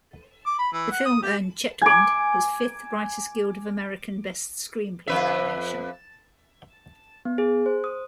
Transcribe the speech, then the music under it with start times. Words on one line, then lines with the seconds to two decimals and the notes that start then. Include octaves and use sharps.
The film earned Chetwynd his fifth Writers Guild of American "Best Screenplay" nomination.
0.46 D6
0.58 B5
0.72 E3
0.91 F#5
1.05 D#6
1.22 G4
1.82 G#5 D6
5.08 F2 B4 E5
7.25 B3
7.38 G#4
7.66 C5
7.84 D#6